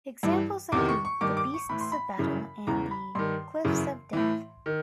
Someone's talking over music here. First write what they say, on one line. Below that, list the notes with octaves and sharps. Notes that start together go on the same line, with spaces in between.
Examples include the "Beasts of Battle" and the "Cliffs of Death".
G2 E3
E2 C3 D#3 D6
C#6
C#6
G2 D#3 D6
D6
C#6
A2 E3 B5
C6
B5
F#2 C#3 E3
E2 C#3 E3 A#5
B5
G2 D#3 C6
F#2 C#3 E3
A2 E3
D#3